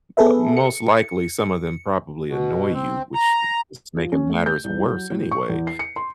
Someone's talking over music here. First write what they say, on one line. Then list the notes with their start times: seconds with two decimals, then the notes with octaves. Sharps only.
uh, most likely, some of them probably annoy you, which is making matters worse anyway.
0.17 B3 G#4 A4 B4 E5
0.57 C#7
2.29 B2
2.74 C4
3.14 A#5
3.97 F3
4.12 C#4
4.30 A3
4.46 G6
4.64 C2
4.84 F#3
5.10 A2
5.31 C#6
5.50 E2
5.67 C7
5.79 C#7
5.96 C6